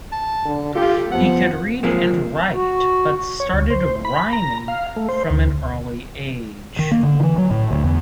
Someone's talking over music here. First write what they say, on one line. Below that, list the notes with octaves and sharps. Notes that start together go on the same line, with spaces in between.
He could read and write but started rhyming from an early age.
A5
D3
F4 G4 A4
F2 F3 B3 F#5
F3 G#3 A#3 C4
F#4
C#5
D2
C5
B5
A#5
F5
A3
C5
D2
D#3
A#3
D3
E3
F#3
A2
D2
E2